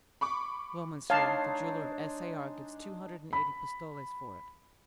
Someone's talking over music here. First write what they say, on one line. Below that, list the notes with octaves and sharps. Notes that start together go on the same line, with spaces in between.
"Well, monsieur, the jeweler of S. A. R. gives two hundred and eighty pistoles for it."
B5 C#6 D6
G#3 D4 D#4 C#5 F5 A5 C7
B5